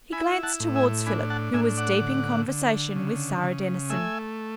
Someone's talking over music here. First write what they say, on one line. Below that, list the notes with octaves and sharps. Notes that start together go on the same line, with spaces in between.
He glanced towards Philip, who was deep in conversation with Sara Denison.
E4 G#5 B5
F#5 A5
A2
E5 G#5
D4 G#5 B5
F#5 A5
A2 E5 G#5
D5 F#5
D3
D3
C#3
C#3
A3 E5 G#5